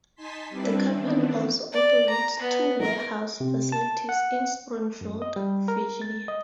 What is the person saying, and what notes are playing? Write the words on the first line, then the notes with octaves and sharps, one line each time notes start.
The company also operates two warehouse facilities in Springfield, Virginia.
D#4 G#5 A5 C6 B6
G3 C4 D4 E4 B4
D#3 E3 B3 C4 D4
D5
A#5
B3
A#4
C3
A5
F#5
F#2
D#5
G3
A#4
A6
D#5